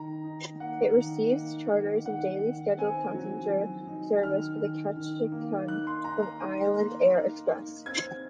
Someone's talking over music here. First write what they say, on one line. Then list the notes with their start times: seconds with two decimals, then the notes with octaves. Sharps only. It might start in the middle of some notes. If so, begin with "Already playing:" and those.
It receives charters and daily scheduled passenger service from Ketchikan from Island Air Express.
Already playing: D#3 A#5
0.24 D#4
0.60 A#3 F#5
0.96 D#3
1.33 A#3
1.69 D#3
2.05 D#3 F#5
2.42 D#3
2.78 C4 G#5
3.14 F#3
3.50 F#3
3.87 D#4
4.23 D#3 F6
4.59 D#3
4.96 D#3
5.32 A#3
5.68 D#4 F#6
5.87 C6
6.04 D#4 A#5
6.22 A#5
6.41 D#4
6.78 A#3
7.14 D#4
7.50 D#4
7.86 C4 G#6